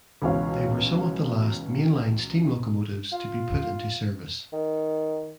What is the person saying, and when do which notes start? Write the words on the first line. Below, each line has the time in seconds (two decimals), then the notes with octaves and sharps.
They were some of the last mainline steam locomotives to be put into service.
0.22 C#2 B2 E3 C#5 F5
3.12 F4
4.53 D#3